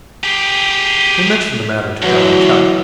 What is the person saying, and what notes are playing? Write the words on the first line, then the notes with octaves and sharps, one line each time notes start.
He mentioned the matter to Johnny Chuck.
G4 G#4
D2 E3 F#3